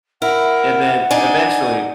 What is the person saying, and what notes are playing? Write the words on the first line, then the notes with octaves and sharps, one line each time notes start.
and then, eventually,
E4 A#4 F#5
D4 D#4 G#5